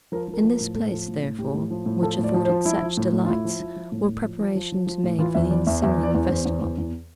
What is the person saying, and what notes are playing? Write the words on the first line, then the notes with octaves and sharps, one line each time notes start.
In this place, therefore, which afforded such delights, were preparations made for the ensuing festival.
F3 A#4
F3
A#4
F3
A#4
A2
A2 A4
F3
A2
A2
A2 G4
A2
F3
A2
F3 A4
A2
D5
F3
C5
F3
F3 E4
F3
A2
A2
F4
A2 E4
F3
F3
F3
A2
A2
F3
F3
F3
F3
F3
A2
E3 F4
E2 E5
E3 D5
E2 E5
E2 E5
E3
D5
E2
E2 C5
E2
E2
E2